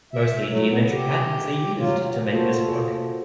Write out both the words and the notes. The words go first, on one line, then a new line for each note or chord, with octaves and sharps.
Mostly geometric patterns are used to make this work.
E5
A2 F#3 A3
B3
G4
F#3 F4
A#3 F4 F#4 A4 C5